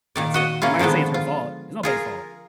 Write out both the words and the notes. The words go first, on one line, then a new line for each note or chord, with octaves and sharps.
and that's it. I'm not gonna say it's her fault, it's nobody's fault,
A#2 D#3 D5
F#4 D#5 F#5
A#3 C#4 E4 F4
D3 D#3 F3 G#3 B3
F4
F4 G#4 A#4